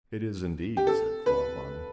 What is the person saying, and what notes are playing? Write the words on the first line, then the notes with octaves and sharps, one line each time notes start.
"It is, indeed!" said Clawbonny.
G4
A4
B4